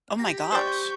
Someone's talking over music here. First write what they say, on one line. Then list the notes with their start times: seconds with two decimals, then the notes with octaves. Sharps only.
Oh my gosh.
0.19 G4 A#6
0.52 C5 D5 G5 C6 C#6 F#6 G6